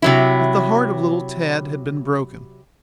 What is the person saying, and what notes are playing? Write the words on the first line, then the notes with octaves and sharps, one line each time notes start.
But the heart of little Tad had been broken.
C3 F#3 E4